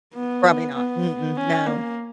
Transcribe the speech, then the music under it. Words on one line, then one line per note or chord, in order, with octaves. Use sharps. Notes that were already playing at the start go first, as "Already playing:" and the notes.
Probably not. Mm-mm, no.
B3
B3
C#4
A#3